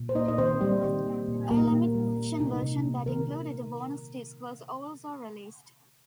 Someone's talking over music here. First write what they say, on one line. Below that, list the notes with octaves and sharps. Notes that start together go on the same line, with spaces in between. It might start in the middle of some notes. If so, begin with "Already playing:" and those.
A limited edition version that included a bonus disc was also released.
Already playing: A#2
C5
A#3 D#4 D#5
D#5
D#3 C4 C5
G3 A#3 G4
D#3
A#3
A#2
A#3 A#4
A#2
G3
A#3
C3 D#4
C3
A#3
D#3 A#4